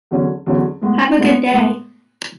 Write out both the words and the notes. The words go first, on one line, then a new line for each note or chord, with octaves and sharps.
Have a good day.
E2 D3 F#3 C#4
E2 D3 F#3 C#4
A2 G#3 B3
A2 G#3 B3
A2 G#3 B3